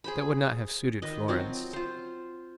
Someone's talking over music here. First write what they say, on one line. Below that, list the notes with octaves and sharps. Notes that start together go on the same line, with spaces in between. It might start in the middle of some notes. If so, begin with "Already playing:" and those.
That would not have suited Florence.
G#4 C5 B5
D#3 B4 D#5
F#3 C4 F4
F4 C5